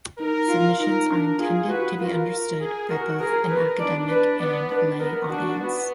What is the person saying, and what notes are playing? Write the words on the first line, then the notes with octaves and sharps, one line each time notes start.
Submissions are intended to be understood by both an academic and lay audience.
D#4 A#4
F4
D#4 A#4
D4 A#4
F4 G#4
F#4 B4
F4 A#4
G#4
F#4 A#4
G#4 A#4
A#4 B4
D4 D5
B4
B3 D5
D4 B4
B3 A#4
D4 F#4
B3